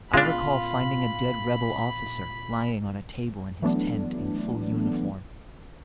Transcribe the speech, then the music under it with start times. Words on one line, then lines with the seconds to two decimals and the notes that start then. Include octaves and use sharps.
I recall finding a dead Rebel officer, lying on a table in his tent, in full uniform.
0.14 A#2 G#3 B3 C#4 D4 F4 B5
3.62 E3 F#3 A3 B3 D4